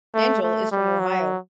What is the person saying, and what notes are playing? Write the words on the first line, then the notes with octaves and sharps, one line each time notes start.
Engel is from Ohio.
A3
A3
G3
F#3